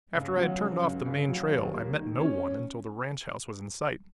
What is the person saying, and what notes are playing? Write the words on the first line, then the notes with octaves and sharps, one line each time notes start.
After I had turned off the main trail I met no one until the ranch house was in sight.
C#2
F#3
C#3
C#2
C#2
F#3
D#2
A#3
D#3
C#4